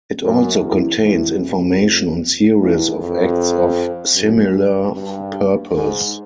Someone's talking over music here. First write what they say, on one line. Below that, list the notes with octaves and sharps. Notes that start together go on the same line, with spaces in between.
It also contains information on series of acts of similar purpose.
F#2
E2
E2
F2
E2
F2
F#2
G2
G#2